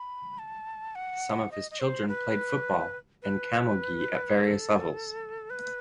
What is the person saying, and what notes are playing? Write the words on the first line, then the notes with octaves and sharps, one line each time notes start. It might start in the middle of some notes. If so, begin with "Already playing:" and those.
Some of his children played football and camogie at various levels.
Already playing: B5
A5
F#5
D#5
D#5
C5
B4
B4
B4
A4
B4